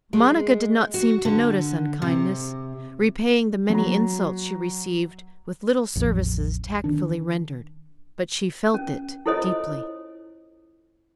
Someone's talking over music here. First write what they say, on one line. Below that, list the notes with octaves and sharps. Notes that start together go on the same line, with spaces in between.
Monica did not seem to notice unkindness, repaying the many insults she received with little services tactfully rendered, but she felt it deeply.
G#3
F#4
D3
C3
F#3 A#5
A1 E2 F3
D#3 D4
C#4
E4 F4 A4 C5 C#5 D#5